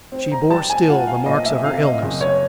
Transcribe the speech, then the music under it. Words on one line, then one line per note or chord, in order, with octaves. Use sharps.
She bore still the marks of her illness.
C4
A#5
G3 A5
G#5
F4 F#5
F5
A#2 D#5
E5
C3 F5
E5
D#5
F#1
C#5